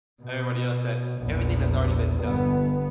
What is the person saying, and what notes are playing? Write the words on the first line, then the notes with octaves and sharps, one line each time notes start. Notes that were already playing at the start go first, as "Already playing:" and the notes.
everybody else that everything has already been done.
B2
A#1 E2
G1 B3